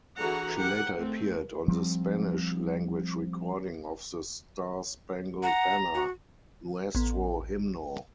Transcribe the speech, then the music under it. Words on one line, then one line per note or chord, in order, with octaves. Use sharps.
She later appeared on the Spanish-language recording of the Star-Spangled Banner, "Nuestro Himno".
D3 E3 F#4 G#4 F#5 A#5
G4 A#4 F#5
A3 C4
F3 G3 C4
F#5 A#5
F#4
A1 B3